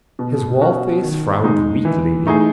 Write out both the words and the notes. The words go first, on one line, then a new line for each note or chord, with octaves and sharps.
His wallface frowned weakly.
B2
F#3 C#4 F#4
D#3
G#3 D#4
E3
A3 D#4 G#4